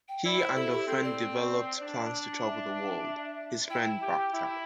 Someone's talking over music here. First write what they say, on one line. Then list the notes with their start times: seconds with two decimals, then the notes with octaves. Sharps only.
He and a friend developed plans to travel the world; his friend backed out.
0.08 G5
0.25 E4 D5
0.40 C5
0.56 E4 A4
0.72 G4
0.87 C4 A4
1.04 D5
1.81 D4
2.45 E5
3.70 E4 G5
4.02 G4
4.34 E4